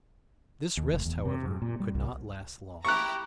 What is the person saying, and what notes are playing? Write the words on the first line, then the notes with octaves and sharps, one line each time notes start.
This rest, however, could not last long.
D#2
F1
E2
C3
F#2
A#2
G3
C2
E4 G4 A#5 C#6 F#6